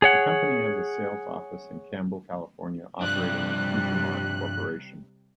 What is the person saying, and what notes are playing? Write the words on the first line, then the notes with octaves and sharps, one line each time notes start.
The company has a sales office in Campbell, California operating as Futuremark Corporation.
G#4 C#5 F#5
G2 C3 F3 G3 D4 F#6